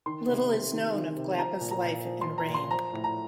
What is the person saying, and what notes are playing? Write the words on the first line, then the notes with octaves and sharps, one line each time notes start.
Little is known of Glappa's life and reign.
D#3 C6
C3
C3
D#3
D#3
C3
F3 A#5
A#2
A#5
A#2
F3
C6
F3
A#5
A#2
C6
F3 A#5
A2
A#5